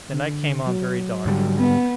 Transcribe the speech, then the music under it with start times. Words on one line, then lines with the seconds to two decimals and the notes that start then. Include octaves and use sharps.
The night came on very dark.
0.11 D3
0.66 F#3
1.26 G#2 D3 G3
1.59 B3